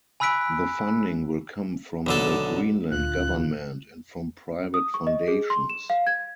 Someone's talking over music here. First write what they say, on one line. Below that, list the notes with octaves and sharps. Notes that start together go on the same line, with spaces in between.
The funding will come from the Greenland Government and from private foundations.
G#5 B5 E6 F#6 B6 D7
B1 D3 A4
D2 A#2 D3 F4 F#6
D#6
C#6
D#5
G#4
C6
E7
F5
G#6